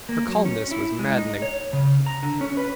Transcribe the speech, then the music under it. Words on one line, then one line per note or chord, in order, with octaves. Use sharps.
Her calmness was maddening.
A#3
F#3
C#4
E4
G#3
D#4
C#5
C#3
A#5
D3
C#4
B4